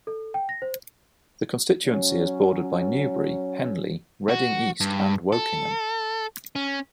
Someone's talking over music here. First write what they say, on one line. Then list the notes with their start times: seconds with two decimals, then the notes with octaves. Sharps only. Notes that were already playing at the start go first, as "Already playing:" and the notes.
The constituency is bordered by Newbury, Henley, Reading East and Wokingham.
0.07 A4
0.34 G5
0.49 A#6
0.62 C5
1.84 F#3 C#4
4.29 F#4
4.80 G2
5.33 A4
6.56 C#4